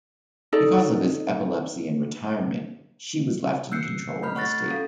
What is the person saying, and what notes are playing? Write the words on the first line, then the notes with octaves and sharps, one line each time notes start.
Because of his epilepsy and retirement, she was left in control of the state.
D#4 A4 D5
E6 F#6 G6 C7 C#7
A3 B5 F6
C#5 F#5 C#6 F#6 A6 A#6
C#4 A4 F5